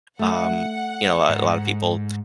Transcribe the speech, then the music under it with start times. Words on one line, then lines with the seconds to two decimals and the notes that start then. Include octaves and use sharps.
Um, you know, uh, a lot of people
0.19 A3 F#5
1.29 G#2